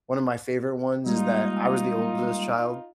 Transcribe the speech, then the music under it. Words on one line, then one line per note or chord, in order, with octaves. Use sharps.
one of my favorite ones is that I was the oldest child,
G3 G#3 A#3 D#4 F4